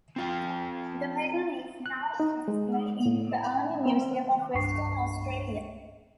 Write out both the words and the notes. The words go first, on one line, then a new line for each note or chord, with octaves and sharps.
The medal is now on display in the Army Museum of Western Australia.
C4 F4 G5
F#6
D#4
G#3
A2
C4
C2 G2 D4 C#6 C7